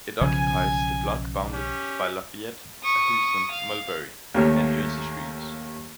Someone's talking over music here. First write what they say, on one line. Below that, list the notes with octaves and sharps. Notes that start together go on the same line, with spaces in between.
It occupies the block bounded by Lafayette, Houston, Mulberry and Jersey Streets.
B1 C#3 F3 G#5
C#4 G4
C#6 D#6
F5
D#2 A3 A#3 G4 C#5 F6